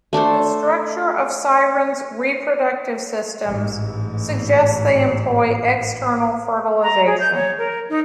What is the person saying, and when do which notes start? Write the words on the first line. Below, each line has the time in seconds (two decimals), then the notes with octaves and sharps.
The structure of sirens' reproductive systems suggests they employ external fertilization.
0.13 A3 D4 A4 C5
3.45 A1 G#2
6.82 A#5
7.06 G#4
7.20 G6
7.35 C#5
7.58 A#4
7.90 D#4